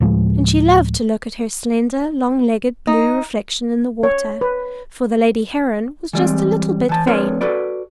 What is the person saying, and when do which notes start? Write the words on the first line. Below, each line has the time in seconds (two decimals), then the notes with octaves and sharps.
And she loved to look at her slender, long-legged blue reflection in the water; for the lady Heron was just a little bit vain.
0.01 D2 A2 F3 G#3
2.87 D#4
4.03 C#5
4.41 B4
6.13 E3 G3 G#3 C4
6.89 E3 A5
7.07 F2 D4 A#4 B4 C#5 C6
7.41 F#4 A4 B4 D5